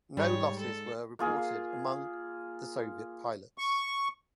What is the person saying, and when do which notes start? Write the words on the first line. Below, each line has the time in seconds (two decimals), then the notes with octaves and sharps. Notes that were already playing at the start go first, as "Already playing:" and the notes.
No losses were reported among the Soviet pilots.
0.17 G#2 G3 C#5
0.59 A4
1.19 A#3 F4 G#4
3.58 C#6